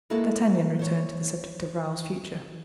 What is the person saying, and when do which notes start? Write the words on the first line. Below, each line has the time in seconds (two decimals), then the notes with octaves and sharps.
D'Artagnan returned to the subject of Raoul's future.
0.10 G#3 A#3 E4 F#4 A4
0.79 C5 C#5